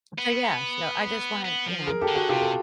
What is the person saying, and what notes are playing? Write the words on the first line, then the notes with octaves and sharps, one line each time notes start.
so yeah, so, I just wanna, you know,
B3
B3
F3
G#4 A#4
G4 A4
D3
F#4 G#4
C3 F4 G4
A4